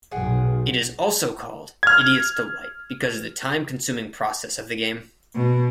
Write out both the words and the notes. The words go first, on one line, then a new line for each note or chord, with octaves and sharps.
It is also called Idiot's Delight because of the time-consuming process of the game.
B1 G#4 F#5 G5
F6 G#6
B2